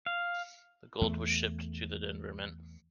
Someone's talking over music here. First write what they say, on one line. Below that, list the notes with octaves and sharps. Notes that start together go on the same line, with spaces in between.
The gold was shipped to the Denver Mint.
F5
E2 A3